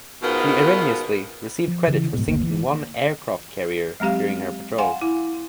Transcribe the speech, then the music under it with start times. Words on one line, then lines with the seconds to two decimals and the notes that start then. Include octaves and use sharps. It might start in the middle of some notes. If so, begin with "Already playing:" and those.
She erroneously received credit for sinking one aircraft carrier during her patrol.
0.23 G#2 B2 D#3 B3 F4
1.68 F3
1.88 C#3 E3
2.14 G#2 B2
2.28 F#1 D2 A#3
2.42 E3
4.00 F#3 G#3 C4 G4 F5
4.78 F5 F#5 G#5 C6
5.01 E4